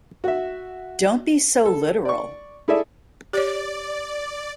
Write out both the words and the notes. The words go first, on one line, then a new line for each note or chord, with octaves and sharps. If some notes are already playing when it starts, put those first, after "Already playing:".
Don't be so literal.
F#4 E5
A4
D5 C#6
E4 G#4 A4 D5 E5
G4 C#5 D5